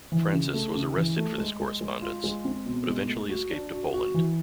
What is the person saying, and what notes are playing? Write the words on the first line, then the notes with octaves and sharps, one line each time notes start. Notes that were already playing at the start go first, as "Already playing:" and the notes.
Francis was arrested for this correspondence but eventually escaped to Poland.
E3
C#3
A3
C#3
E3
A3
G#3
G#3
G#3
F4
G#3
C4
B2
G#3
A3
F#4
D4
F#4
F#4
E3